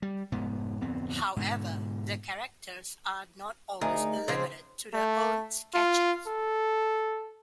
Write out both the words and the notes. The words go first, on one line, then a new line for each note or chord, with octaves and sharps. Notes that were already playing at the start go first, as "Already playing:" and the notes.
However, the characters are not always limited to their own sketches.
G3
F1 G#2 B3
D1 F2 B3 C4
G#2 B2 D3
D2 D#4 G#4 A#4
C#3 F3 C4
A3
F4
A4